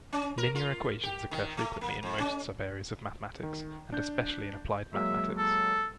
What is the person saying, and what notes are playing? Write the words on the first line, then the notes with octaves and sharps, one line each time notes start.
Linear equations occur frequently in most subareas of mathematics and especially in applied mathematics.
C#4
A#4
F4
G4
D#3
A3
A#3
F2
C#4
D#3
D4 G6
F#3 G#3 A#3 E5
A4